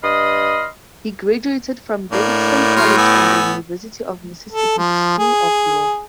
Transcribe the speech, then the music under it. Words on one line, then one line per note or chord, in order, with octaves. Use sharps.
He graduated from Davidson College and the University of Mississippi School of Law.
G2 D#5 B5 C6 D#6 F6
A2 A#3 D4
F#3 C6 F6
B3 G#5 E6
A4
F3
G#4